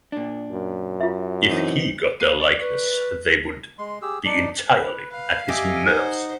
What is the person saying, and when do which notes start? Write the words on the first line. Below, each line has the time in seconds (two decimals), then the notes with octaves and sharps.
If he got their likenesses they would be entirely at his mercy.
0.12 A#2 D4
0.51 F#2
1.01 F4 E5
1.50 E3 C4 D#4
2.20 A#3 C7 D#7
2.40 D5 C#6
2.61 B4
3.31 A#6
3.78 G#3 C6
4.02 G4 G#4 E6
4.25 D4 D#4 D5
4.75 B4
5.11 B4 F5
5.48 G4 D#5 E5 G#5
5.85 D#4 C5 F#5